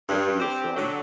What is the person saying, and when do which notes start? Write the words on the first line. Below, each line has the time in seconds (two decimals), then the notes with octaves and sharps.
Where you from?
0.09 G2
0.40 C4 G4
0.77 D3 F#3